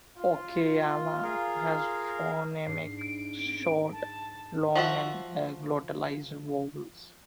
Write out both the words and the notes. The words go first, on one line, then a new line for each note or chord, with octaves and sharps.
Oowekyala has phonemic short, long, and glottalized vowels.
F4
G#4 A#4 F5
G#2 D4 C7
D7
A5
F3 F#4 E5